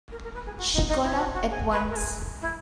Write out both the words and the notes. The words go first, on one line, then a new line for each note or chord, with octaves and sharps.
She got up at once.
A#4
A#4
B4
G#4
F#4
D#4
D#4
E4
F#4
F#4
G#4
B4
A#4
G#4
E4